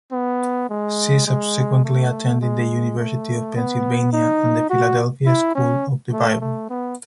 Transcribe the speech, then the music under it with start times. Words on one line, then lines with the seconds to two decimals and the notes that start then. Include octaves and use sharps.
She subsequently attended the University of Pennsylvania and the Philadelphia School of the Bible.
0.12 B3
0.70 G#3
1.26 G#3
1.84 A3
2.41 G#3
2.98 A3
3.56 B3
4.13 D#4
4.70 F#4
5.26 E4
5.55 C#4
6.13 A3
6.41 A3
6.69 B3